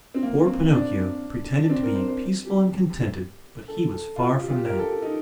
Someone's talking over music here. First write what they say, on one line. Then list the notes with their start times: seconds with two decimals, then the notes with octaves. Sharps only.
Poor Pinocchio pretended to be peaceful and contented, but he was far from that.
0.14 C4
0.23 A#3
0.46 C4
0.72 D4
1.64 D4
1.69 C4
1.83 A#4
1.95 C5
2.08 C5
2.44 G4
3.68 A4
3.92 A4
4.16 F4
4.41 G4
4.49 F4
4.56 G4
4.65 A#4
4.73 G4
4.79 A4
4.91 G4
5.02 D#4